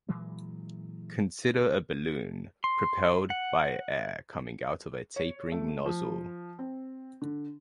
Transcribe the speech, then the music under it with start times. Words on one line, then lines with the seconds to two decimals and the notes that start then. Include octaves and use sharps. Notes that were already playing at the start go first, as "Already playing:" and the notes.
Consider a balloon propelled by air coming out of a tapering nozzle.
0.09 A#2 E3 F#3 G#3
2.64 C6
3.30 F#5
5.16 C#5
5.52 A3
5.85 F3
6.59 C4
7.22 D3